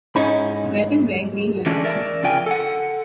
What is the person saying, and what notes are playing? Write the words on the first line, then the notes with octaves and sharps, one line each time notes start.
Welpen wear green uniforms.
G#2 C#4 D#4 E4 B5
D3 E3 G#3 A3 C#4 D4
A#4 D5 E5
F2 C#3 F4 G5 G#5
A4 F#5